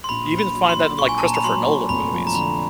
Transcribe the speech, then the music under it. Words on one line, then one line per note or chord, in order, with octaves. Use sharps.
You even find that in, like, Christopher Nolan movies,
C6
A#1 B5
A#1
B5
F#3
C6
A#2
A#1 C#6
G#5
A5
A#1
A#5
B5
F#3 C6
A#2
F1 B5
F3
A#5
D3 B5